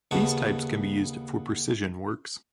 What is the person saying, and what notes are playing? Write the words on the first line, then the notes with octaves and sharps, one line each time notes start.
These types can be used for precision works.
D#2 C#3 B3 A5 C#6